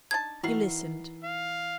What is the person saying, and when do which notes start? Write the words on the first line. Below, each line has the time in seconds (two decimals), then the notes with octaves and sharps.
He listened.
0.11 D4 D#4 A5 G#6
0.43 D#3 E3 E4 F#4 A#4 C7
1.23 F5